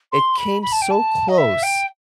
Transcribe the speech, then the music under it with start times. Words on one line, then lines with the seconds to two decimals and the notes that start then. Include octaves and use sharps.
It came so close
0.12 C6
0.37 B5
0.62 B5
0.72 A5
0.81 G5
0.90 A5
1.28 D#5
1.37 E5
1.62 G5